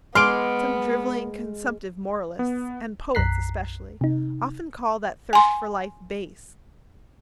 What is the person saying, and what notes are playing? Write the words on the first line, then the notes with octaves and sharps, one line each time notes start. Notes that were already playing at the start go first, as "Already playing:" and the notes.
Some driveling consumptive moralists--and poets especially--often call that thirst for life base.
G#3 B3 C6 D6 F6 D7
B3
B1 F#2 A#5 F#6 B6 C7
C3 D#4
G#5 C6